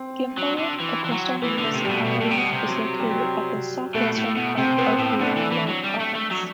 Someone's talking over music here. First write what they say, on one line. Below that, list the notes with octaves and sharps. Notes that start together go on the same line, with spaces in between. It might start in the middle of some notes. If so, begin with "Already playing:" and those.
Guimbal, a coastal municipality, is located at the south-western part of Iloilo province.
Already playing: C4
F#3
D3
E3
E3
F#3
E3 B3
D3
A3
C3
B2 G3
B2
A2
C3
B2
C3
F#3
G3
F#3
G3
B2 A3
A2
B2
C3 C4
B2 B3
B3
A2 C4
C4
B2 D4
E3
E3
F#3
G3
A3
A3
F#3